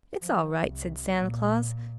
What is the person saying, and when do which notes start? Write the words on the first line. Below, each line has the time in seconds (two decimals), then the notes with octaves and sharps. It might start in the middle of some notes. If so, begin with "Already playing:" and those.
"It's all right," said Santa Claus.
0.20 F3
0.63 C2
1.18 A#2